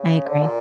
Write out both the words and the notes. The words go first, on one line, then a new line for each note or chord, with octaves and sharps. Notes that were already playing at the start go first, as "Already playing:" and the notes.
I agree.
Already playing: C#3
D3
A#2